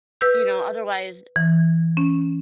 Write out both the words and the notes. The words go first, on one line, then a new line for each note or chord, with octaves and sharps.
you know, otherwise
B4 E6 G6
E3
C#4